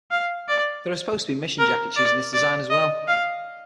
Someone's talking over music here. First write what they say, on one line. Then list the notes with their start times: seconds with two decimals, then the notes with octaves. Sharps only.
There are supposed to be mission jackets using this design as well.
0.11 F5
0.48 D5
1.59 A#4
1.96 D5
2.33 D5
2.70 D#5
3.07 F5